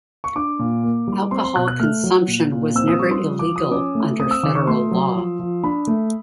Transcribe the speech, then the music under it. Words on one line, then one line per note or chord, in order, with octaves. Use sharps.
Alcohol consumption was never illegal under federal law.
C#6
D4 D6
A#2
A#3
G3
C4 C6
C6
B2 F#6
F#6
A3 F6
F#3
A#2
A#2
C4 E6
D#6
G3 C#6
C6
F3
D6
F3
D#6
C#4 D6
A3
C4 D#6
E6
D#3 D6
C#6
A3 C6
F#3
F3
F3
D4 B5
A3